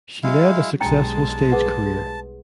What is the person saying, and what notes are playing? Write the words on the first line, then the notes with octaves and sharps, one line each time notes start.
She led a successful stage career.
F#3 G#3 E4 F5
B1 G3 G#3 D4 G5 A5 A#5
G#4 B4 F#5